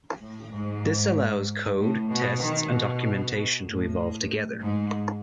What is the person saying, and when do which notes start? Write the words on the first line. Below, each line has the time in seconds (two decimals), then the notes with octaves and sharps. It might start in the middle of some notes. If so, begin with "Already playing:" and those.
This allows code, tests, and documentation to evolve together.
0.22 A2
0.53 G#2
1.79 A2
2.10 B2
2.42 D#3
2.73 B2
3.67 A2
4.61 G#2